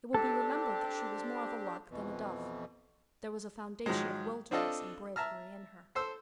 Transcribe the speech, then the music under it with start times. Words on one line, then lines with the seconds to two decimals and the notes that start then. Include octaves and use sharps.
It will be remembered that she was more of a lark than a dove. There was a foundation of wildness and bravery in her.
0.14 C4 D4 G4 A4
1.90 F2 B2 E3
3.86 G#2 D#3 F3 F#3 G#3
4.51 C4 D4 F4 A4 D#5 F5
5.16 E5 A5 A#5 F6
5.95 A4 C5 E6